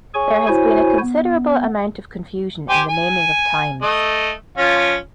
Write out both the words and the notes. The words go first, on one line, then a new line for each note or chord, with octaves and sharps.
There has been a considerable amount of confusion in the naming of thymes.
G#4 C#5 G#5 C#6
E4 F#4 C5 C#5 G#5
B3
G4 C5 G#5
G#5
A3 D#5
F3 C#4 F4